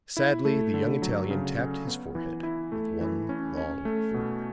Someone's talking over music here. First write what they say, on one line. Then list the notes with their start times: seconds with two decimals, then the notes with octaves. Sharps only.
Sadly the young Italian tapped his forehead with one long finger.
0.17 E4
0.45 A3
0.74 D3
1.02 F#3
1.30 C#3
1.58 C#4
1.87 B3
2.15 E3
2.43 E4
2.72 A3
3.01 E3
3.29 C#4
3.57 C#4
3.85 A3
4.14 B2